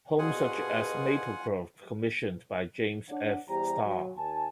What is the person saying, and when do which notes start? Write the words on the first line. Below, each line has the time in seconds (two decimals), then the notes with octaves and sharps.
Homes such as "Maplecroft", commissioned by James F. Starr.
0.19 C2 B2 F4 G#4 F#5 G#5
3.08 D4 C#5 F#5
3.48 E2 G3 G4 C5 G5 A#5
3.83 F#3
4.15 D#2 G#5 A5